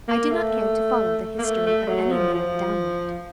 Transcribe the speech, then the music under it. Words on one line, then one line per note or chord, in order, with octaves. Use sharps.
I do not care to follow the history of any man downward.
A#3
A3
A#3
A3
A3
F#3
F3
F3